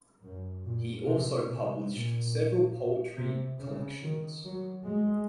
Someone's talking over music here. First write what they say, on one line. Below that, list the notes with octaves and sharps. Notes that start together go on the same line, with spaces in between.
He also published several poetry collections.
F#2
A#2
C3
C3
A#2
C3
C#3
D#3
F#3
G#3